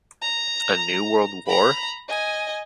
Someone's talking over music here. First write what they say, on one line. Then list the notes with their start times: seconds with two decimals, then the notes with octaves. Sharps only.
A New World War?
0.21 A#5
1.46 A#5 B5
2.08 D#5 G#5